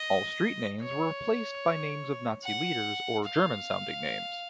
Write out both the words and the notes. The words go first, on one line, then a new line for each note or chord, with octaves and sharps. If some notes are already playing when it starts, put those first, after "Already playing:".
All street names were replaced by names of Nazi leaders or German sounding names.
Already playing: D#5
C#5
F#5
F5